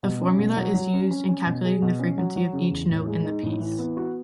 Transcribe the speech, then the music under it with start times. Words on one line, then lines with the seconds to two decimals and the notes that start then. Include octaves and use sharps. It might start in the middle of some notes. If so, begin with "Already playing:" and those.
The formula is used in calculating the frequency of each note in the piece.
0.03 B2
0.22 C#4
0.39 B2
0.57 F#3
0.74 F#3
0.93 C#4
1.11 C#4
1.29 C#4
1.46 B2
1.65 G#4
1.82 B2
1.99 C#4
2.18 F#3
2.36 F#3
2.53 C#3
2.71 E2
2.90 A2
3.07 G#3
3.25 D#4
3.43 A2
3.60 E3
3.78 B3
3.97 F#4